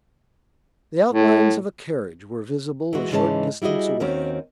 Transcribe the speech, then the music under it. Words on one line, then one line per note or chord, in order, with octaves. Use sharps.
The outlines of a carriage were visible a short distance away.
A2
E3 G#3 F#4
G#2 C#3 E3 G#3 C#4 A5
G3 E4 F#4 G#4 D#5
D#2 D#3 C4 C#4 F#4